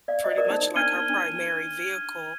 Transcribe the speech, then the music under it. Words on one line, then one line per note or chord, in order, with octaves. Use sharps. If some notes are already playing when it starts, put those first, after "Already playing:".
pretty much, like, her primary vehicle,
D5 F5
C5 D#5
A#4 D5
D#4
D#4
D4 F6 G#6 D#7 G7
D#4
D4